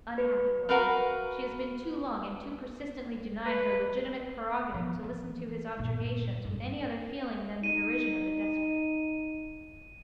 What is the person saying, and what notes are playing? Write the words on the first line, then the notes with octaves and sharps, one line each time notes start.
Unhappy woman, she has been too long and too persistently denied her legitimate prerogative to listen to his objurgations with any other feeling than the derision of the desperate.
B4
F#4 A#4 B4 F5
B4
F3 B3
E3
G1 A#2
A1 G2
D#4 D#7